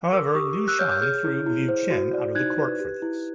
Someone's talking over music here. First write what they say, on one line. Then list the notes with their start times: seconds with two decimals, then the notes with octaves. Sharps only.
However, Liu Shan threw Liu Chen out of the court for this.
0.12 A#4 D6 E6
0.28 D6
0.35 G4 C#6 D#6
0.57 G4
0.68 E6 F#6
0.79 C#5 F6 G6
0.91 F6 G6
1.01 G#4 F6 G6
1.24 E4
1.46 E4
1.69 C5
1.91 F#4
2.13 D5
2.35 D#4 F#6 G#6
2.58 B4
2.80 G4
3.02 E4